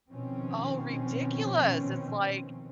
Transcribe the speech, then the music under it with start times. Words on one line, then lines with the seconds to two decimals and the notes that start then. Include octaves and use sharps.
oh, ridiculous, it's like,
0.11 B2 D#3 F3 C4 C#4